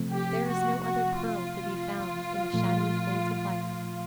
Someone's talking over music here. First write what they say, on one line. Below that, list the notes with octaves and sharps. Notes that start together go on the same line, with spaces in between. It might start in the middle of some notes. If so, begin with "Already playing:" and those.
There is no other pearl to be found in the shadowy folds of life.
Already playing: C3 F3 A3 C4
G4
F#4
F#4
F4
A#2 F3 A3